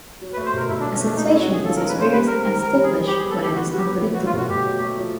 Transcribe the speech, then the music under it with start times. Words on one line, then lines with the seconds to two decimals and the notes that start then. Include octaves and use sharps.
A sensation is experienced as ticklish when it is unpredictable.
0.21 F#3
0.33 B4
0.37 A3
0.46 C5
0.53 B2 A#4
0.69 B2 E4
0.80 D4
0.84 F#3
0.93 C#4
1.00 A3 D4
1.16 G#3 D#4
1.29 E4
1.33 C#4
1.40 F#4
1.48 D#3 G#4
1.64 F4 A4
1.76 A#4
1.80 G#3
1.88 B4
1.96 C#4 C5
2.11 G3 B4
2.27 C4 A#4
2.43 D#3 A#4
2.59 D#3 A#4
2.74 G3
2.83 G#4
2.90 C4
3.06 G3 G4
3.18 G#4
3.23 B3
3.30 A4
3.38 D3 G4
3.53 D4 F#4
3.69 G3 F#4
3.77 G4
3.85 B3
4.02 F#3
4.13 F#4
4.18 A3
4.25 F4
4.33 B2 F#4
4.49 B2 G4
4.65 F#3
4.80 A3
4.97 F3